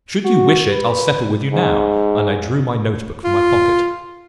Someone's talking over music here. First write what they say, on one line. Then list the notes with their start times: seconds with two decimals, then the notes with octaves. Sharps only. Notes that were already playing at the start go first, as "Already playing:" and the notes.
'Should you wish it, I'll settle with you now,' and I drew my note-book from my pocket.
0.25 F#4
0.72 B4
1.53 G#2
3.25 F4